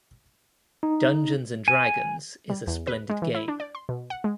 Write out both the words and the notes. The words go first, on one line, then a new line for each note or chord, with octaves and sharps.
Dungeons and Dragons is a splendid game.
D#4
G#5
G3
E2
B4
G#3
E3
E4
D4
D5
C6
B2
F#5
G#3